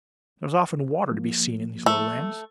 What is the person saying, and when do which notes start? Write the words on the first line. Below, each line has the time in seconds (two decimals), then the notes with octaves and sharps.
There was often water to be seen in these Lowlands.
1.11 F3 A#3
1.86 A3